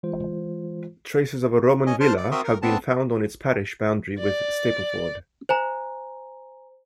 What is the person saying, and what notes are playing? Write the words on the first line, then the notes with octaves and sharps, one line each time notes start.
Traces of a Roman villa have been found on its parish boundary with Stapleford.
E3 G#3 F4 C5
C#4 D#5 G#5
C5 A5 C6 F6
D5
C4 F#4 A#4 E5 C6 D#6
A#4
B3 C4 D4 A5
D5
C5 G#5 A#5